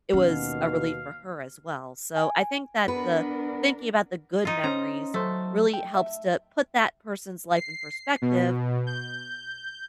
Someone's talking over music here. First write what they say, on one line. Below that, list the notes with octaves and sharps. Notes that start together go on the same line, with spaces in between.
it was a relief for her as well, so, I think that the thinking about the good memories really helps to put that person's life in perspective
D#2 B2 C#4 F5
G#5
B3 D4 A#4 B4
D#4 F4
C#4 C5 A#5
F#3 A3 C5
G5
E5
C7
B2
G6